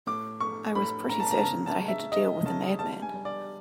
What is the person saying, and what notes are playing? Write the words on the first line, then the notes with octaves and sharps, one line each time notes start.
I was pretty certain that I had to deal with a madman.
A2 D6
A3 C#6
A2 B5
A2 A#5
A5
A#5
A5
C#3 A#5
A5
G#3
E5
G#3 D#5
C#3 A5
G3 A5
G#5
G3
D5